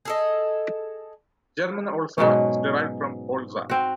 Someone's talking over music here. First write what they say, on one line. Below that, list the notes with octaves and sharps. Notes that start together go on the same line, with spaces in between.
German "Olsa" is derived from "Olza".
G#4 A4 D#5
G#2 B2 F#3 C#4
C4 F#4